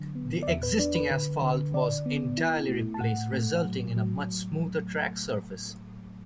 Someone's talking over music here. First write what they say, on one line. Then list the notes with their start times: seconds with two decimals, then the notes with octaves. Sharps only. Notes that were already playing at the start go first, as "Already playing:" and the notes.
The existing asphalt was entirely replaced, resulting in a much smoother track surface.
Already playing: D3 F#3
0.15 B3
0.43 D5
0.47 E2 E5
0.63 B4
0.79 D4 D5
0.95 B4
1.10 D3 B4
1.42 D3
1.74 D3 D5
2.06 B3
2.37 E4
2.69 A3
2.94 A5
3.00 A2 F#5
3.33 A3
3.64 F#3
3.96 F#3